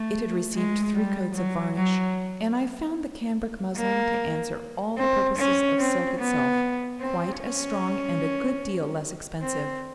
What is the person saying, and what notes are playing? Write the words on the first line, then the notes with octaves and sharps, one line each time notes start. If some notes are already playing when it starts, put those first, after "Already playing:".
It had received three coats of varnish, and I found the cambric muslin to answer all the purposes of silk itself, quite as strong and a good deal less expensive.
Already playing: A3
G#3
G3
F#3
F#3
A#3
C4
C#4
C4
B3
C4
C#4
C4